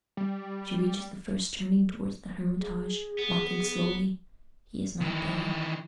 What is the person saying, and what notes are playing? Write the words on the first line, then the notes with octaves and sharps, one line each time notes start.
She reaches the first turning towards the Hermitage, walking slowly--he is not there.
G3
G#4
B3
D#3 E3